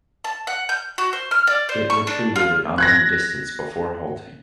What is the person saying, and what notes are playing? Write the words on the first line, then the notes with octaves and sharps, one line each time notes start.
It retreated an unknown distance before halting.
A5
F#5
G6
F#4
C5
F6
D5
C5
C#6
D4
F4
F#6 G#6 A#6